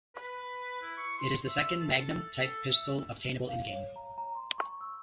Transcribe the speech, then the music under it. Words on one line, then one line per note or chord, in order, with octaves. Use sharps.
It is the second "Magnum" type pistol obtainable in the game.
B4
E4
C#6
C6
E5
A4
A4
E5
F5
C#5
A#5
A#5
C6
C#6
E6